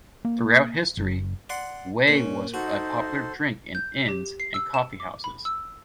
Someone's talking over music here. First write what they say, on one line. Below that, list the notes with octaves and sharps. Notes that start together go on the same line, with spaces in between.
Throughout history, whey was a popular drink in inns and coffee houses.
A#3
F#1
D5 F#5 C6
A#2 C#4
D#4 F#4 A4 C5
G6
G4
C7
E6
E7
D6
B5
E6